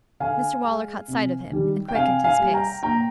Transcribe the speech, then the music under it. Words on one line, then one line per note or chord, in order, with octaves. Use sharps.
Mr Waller caught sight of him and quickened his pace.
D3 F5 G#5
G#3
C3
D#3 G3
G5
C3 F5 G#5
F5 G#5
G3
G5 A#5
A#2 G5 A#5